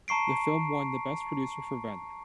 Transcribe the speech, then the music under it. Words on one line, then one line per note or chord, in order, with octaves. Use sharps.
The film won the Best Producer for Ven.
A5 A#5 C#6 C7 D7